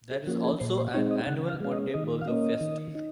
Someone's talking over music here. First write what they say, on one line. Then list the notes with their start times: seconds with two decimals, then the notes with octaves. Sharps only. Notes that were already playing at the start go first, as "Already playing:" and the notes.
There is also an annual one-day Burger Fest.
0.11 G#4
0.27 F3 A#3 C#4 F#4
0.44 G#4
0.60 A#2 C5
0.78 C5
0.94 G#3 C4 D#4 C#5
1.11 D#5
1.27 C#3 F#5
1.49 F5
1.60 G#3 C#4 F5
1.72 D#5
1.94 D#3 D#5
2.21 F5
2.28 A#3 C#4 D#5
2.61 D#3
2.95 D#4